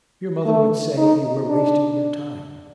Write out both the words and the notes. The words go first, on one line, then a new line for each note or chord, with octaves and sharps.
'Your mother would say you were wasting your time.
A3
D#4
D4